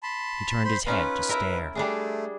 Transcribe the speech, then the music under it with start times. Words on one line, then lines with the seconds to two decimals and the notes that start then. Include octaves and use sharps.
He turned his head to stare.
0.03 A5 B5 C6
0.64 C5 B5 C6
0.86 C#4 D#4 F4 B4
1.29 E4 A#4
1.75 G3 A3 D4 G#4